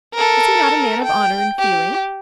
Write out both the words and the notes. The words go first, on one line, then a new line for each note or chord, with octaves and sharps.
Is he not a man of honour and feeling?
A4 A#4
G5
G4